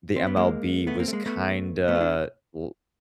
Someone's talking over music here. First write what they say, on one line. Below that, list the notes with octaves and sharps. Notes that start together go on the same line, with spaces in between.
the MLB was kinda l
C4
B3
G#3 A#3
A3 B3
A#3 C4
A3
G#3 A#3
A3 B3
A3 B3
F4
D4 E4